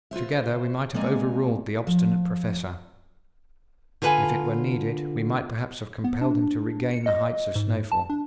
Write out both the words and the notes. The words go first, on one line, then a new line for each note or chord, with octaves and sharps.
Together we might have over-ruled the obstinate Professor; if it were needed, we might perhaps have compelled him to regain the heights of Snaefell.
F4 B4 C5 E5
G#3 A#3 C4 D5 G#5 A#5
F3
D3 F4 A4 B4 E5 G#5
B3
D4
C#7
D#5
G#2
A5
D4